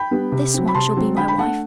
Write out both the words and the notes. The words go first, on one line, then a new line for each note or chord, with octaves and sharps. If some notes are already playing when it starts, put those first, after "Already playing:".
'This one shall be my wife.
Already playing: G5 B5
G3 B3 D4
C3
F#3 C4
B5
C3 A5 C6
F#3 C4
D3 G5 B5
B5
A3 D4 F#5 A5